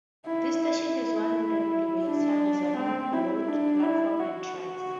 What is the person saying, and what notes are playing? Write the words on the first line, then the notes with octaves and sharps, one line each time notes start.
This station has one wooden elevated mezzanine below the platforms and tracks.
E4
E4
D4
C4
E4
D4
E4
F#4